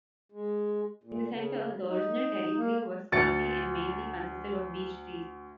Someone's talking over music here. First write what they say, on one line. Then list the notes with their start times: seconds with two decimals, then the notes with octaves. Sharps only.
In the centre, the original territory was swampy and mainly consisted of beech trees.
0.32 G#3
1.04 A#2
1.31 C#3
1.87 D#4
2.57 A#3
3.12 D2 A6 C#7